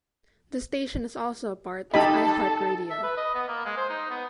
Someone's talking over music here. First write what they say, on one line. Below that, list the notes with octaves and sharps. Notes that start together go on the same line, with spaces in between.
The station is also a part of iHeartRadio.
D#4 G4 A4 D#5 A5 B5
E5
B4
D#5
B3
A#3
G#3
C5
D#4
B3